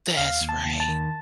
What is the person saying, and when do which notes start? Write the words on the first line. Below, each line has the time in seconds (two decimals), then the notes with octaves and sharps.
That's right.
0.17 D#2 F5
0.41 D#2
0.49 A5
0.65 D#2
0.80 A5
0.88 D#3